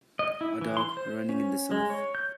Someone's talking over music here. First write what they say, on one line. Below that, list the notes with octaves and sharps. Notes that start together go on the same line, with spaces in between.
A dog running in the surf.
D#5
E4
E3
C6
C5
C#4
G#3
C#5
G6